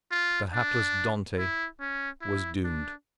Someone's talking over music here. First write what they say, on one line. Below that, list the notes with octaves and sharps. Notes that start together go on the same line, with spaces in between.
The hapless Dantes was doomed.
F4
D4
E4
C#4
E4
D4